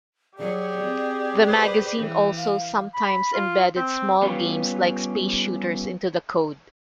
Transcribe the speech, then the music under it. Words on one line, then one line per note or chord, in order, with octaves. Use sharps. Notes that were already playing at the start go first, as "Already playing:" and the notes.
The magazine also sometimes embedded small games like space shooters into the code.
F#3 G4 G#4 D5
C4
B4 C5
E3
F5
B5
F4
C4
G3 B3 C#4 F4 G4